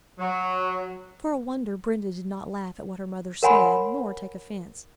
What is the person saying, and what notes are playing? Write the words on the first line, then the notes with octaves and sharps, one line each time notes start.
For a wonder Brenda did not laugh at what her mother said, nor take offence.
F#3
A#4 C#5 F#5 G#5 B5 C6